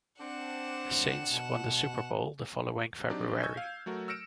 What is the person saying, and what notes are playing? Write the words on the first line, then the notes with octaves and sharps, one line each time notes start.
The Saints won the Super Bowl the following February.
C4 D4 F#5 E7
B2
F#3 C4 D4 D#4 G4 D5
D#5 G#5 C#6 E6 G6 G#6
F5
F#3 A3 F#4 A#4
E6 F6 A#6 C#7 D7 E7